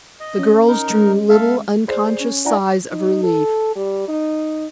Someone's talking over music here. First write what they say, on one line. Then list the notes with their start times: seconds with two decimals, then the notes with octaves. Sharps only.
The girls drew little unconscious sighs of relief.
0.20 D#5
0.39 C#4
0.68 D#4 A#4
0.90 G#3
1.29 A4 E5 F5
1.87 G#4 C5 D5
2.19 C#4
2.45 D4 E4 D5 F#5 G#5 A#5
2.90 D#4
3.24 A4
3.76 G3
4.08 D#4